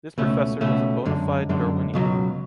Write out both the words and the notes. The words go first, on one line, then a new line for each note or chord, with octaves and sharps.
This professor was a bona fide Darwinian.
C#2 B2 A3 C#4
C#2 B2 A3 C#4
F#2 D3 G#3
F#2 D3 G#3
C#2 B2 F#3